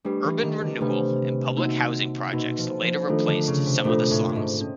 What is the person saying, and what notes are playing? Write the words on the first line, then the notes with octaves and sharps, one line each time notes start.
Urban renewal and public housing projects later replaced some of the slums.
G3 A3 D4 G4 B4
E3
D#3
D3
C3 A3 D4 G4 B4
A#3 D#4 F#4
B2 A#3 D#4 F#4
F3
F3
D#3 A3 D4 F4 A4
D3
C#3
C3
A#2 A3 D4 F4 A4
A2
A2
G#2
C#4